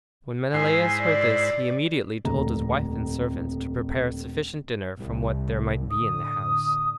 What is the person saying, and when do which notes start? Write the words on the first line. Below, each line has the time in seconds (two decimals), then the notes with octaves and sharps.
When Menelaus heard this he immediately told his wife and servants to prepare a sufficient dinner from what there might be in the house.
0.54 G#2 E4 C5 G#5
1.01 D5
2.25 D#1 F2 A2 D3 A#5
4.98 C2
5.91 A2 D3 D#6